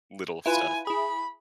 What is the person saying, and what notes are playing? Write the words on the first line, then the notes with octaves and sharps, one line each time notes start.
little stuff.
E4 F4 B4 G#5
E4 G#4 B5